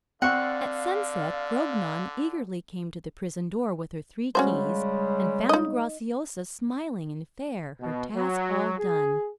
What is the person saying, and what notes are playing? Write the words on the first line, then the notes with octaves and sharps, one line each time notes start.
At sunset, Grognon eagerly came to the prison-door with her three keys, and found Graciosa smiling and fair, her task all done.
D3 C4 D5 F5 F#5 C#6
C#3 G3 G#3 C#4 F#4 C5
D#4 D#5
B2
F#3
G#4